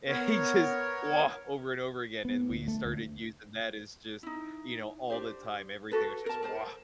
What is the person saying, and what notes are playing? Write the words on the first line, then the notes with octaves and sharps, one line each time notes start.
and he just wah over and over again, and we started using that as just, you know, all the time. Everything was just wah.
B3 A#4 C#5
B3
D2
A3
D2
D#4 E4
D4 G4 C5
F#4 A4 B4
A#4 A5
A#4 C5 A5